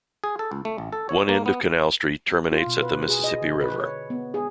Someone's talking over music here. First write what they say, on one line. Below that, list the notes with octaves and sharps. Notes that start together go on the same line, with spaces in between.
One end of Canal Street terminates at the Mississippi River.
G#4
A4
C#2
A3
A1
A4
C#5
A#3
B3
F4
B2
B4
G#4
D#5
D3
B4
C#5
B3
G#4